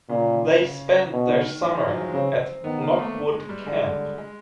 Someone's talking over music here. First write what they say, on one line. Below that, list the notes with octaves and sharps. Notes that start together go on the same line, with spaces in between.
They spent their summer at Lockwood camp.
A#2 C#3
C#3
B2 D3
D#3
D#3
E3
F3
F#3
G#3
C#3 C4
D#3 B3
A#3
A#3
A3
G#3
G3
D3 G#3
G#3